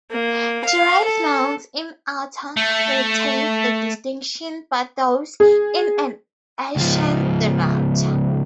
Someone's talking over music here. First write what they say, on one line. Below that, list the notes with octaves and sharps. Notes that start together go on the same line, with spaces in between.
Derived nouns in "-ator" retains the distinction, but those in "-ation" do not.
A#3
F5
A4
A3
G#4
C#2 F3